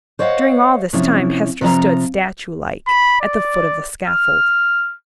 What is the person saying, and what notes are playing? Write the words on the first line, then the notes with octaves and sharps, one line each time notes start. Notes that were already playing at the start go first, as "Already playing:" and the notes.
During all this time, Hester stood, statue-like, at the foot of the scaffold.
C5 C#5 D#5 F5 F#5
C3 F3 C#4 E4
C3 F3 D#5 A#5
B5
D5
F6